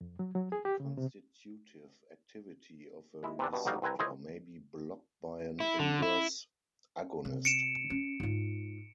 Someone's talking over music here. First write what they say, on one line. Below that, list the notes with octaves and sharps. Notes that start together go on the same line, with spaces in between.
The constitutive activity of a receptor may be blocked by an inverse agonist.
F2
F#3
F#3
G#4
G4
C#3
C3
G#3 E4
C3 E3 D4
G2 B2
A1 F#3 G3 D#4 F5
C2 C4 B4 G#5 A#5
E4 F4 G#4 C5 C#5 D#5
E4
D3
E4
C3
C#7 D7 E7
C#4
G#2 F4